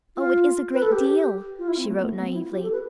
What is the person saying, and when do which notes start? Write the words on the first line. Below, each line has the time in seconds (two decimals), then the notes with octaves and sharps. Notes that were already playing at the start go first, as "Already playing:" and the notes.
"Oh, it is a great deal," she wrote naively.
0.16 F4
0.74 B4
0.82 A4
0.92 G4
1.59 F4
1.68 E4
1.77 C4
1.87 A3
1.96 B3
2.05 A3
2.15 B3
2.25 C4
2.34 E4
2.43 F4
2.53 G4
2.63 A4
2.72 B4